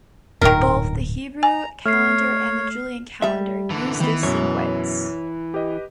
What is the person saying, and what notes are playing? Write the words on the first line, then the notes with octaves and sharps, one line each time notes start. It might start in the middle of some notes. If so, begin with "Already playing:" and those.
Both the Hebrew calendar and the Julian calendar use this sequence.
D1 G2 A#2 D#3 A#4
G#5 A#5
A3 C#5 F6 C7
G3 E5
D3 E3
D#3 E3 B3
F#2 B2 C#5
G4 B4 D#5